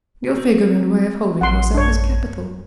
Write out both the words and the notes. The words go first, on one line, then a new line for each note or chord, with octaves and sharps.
Your figure and way of holding yourself is capital.
C4
A1 F#5 C6
F#2 D4 C#5